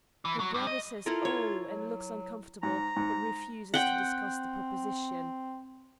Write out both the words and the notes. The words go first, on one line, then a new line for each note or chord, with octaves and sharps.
Her brother says 'Oh!' and looks uncomfortable, but refuses to discuss the proposition.
E3
F#3
G2
D#5
E4 F4 A4 A#4
C#5
F#3
G#2 A#5
G#2
C4 F#5 G5